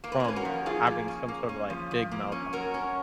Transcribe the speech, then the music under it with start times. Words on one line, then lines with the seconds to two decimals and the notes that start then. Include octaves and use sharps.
from having some sort of, like, big meltdown.
0.04 A#3 A#4
0.12 B4
0.20 A#4
0.24 C#4 B4
0.36 F#4 A#4
0.45 F3
0.66 F3 F4 G#4
0.87 A#3
1.08 C#4
1.28 A#3
1.49 C#4
1.70 F3
1.91 F3
2.11 A#3
2.32 C#4
2.53 F#3 F#4 A#4
2.74 C#4